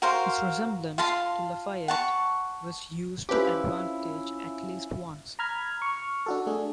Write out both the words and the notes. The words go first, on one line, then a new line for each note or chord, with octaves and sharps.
His resemblance to Lafayette was used to advantage at least once.
F#4 A#4 C5 F5
F4 F5 A5 C6
F#5 A5 C#6
F3 C#4 E4 G4 B4
A#5 B5 F6 G#6
C#6 F6
D4 F#4 A4
A3 D4 G#4